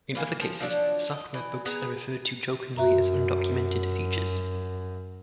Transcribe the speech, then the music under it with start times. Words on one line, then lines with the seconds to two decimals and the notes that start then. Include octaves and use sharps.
In other cases, software bugs are referred to jokingly as undocumented features.
0.15 E3 A#3 G#5
0.41 F3
0.60 F3 F#3 D4
1.12 D#5
1.34 E3
1.65 B3 G#4 B4 A#5
2.77 F#2 F#4 E5 A#5